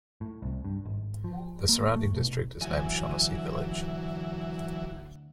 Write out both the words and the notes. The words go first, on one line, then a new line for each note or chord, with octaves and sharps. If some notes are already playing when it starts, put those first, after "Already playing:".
The surrounding district is named Shaughnessy Village.
A2
C2
G2
G#1
F3
A#3
A3
B2
D2 E3 F#3 G#5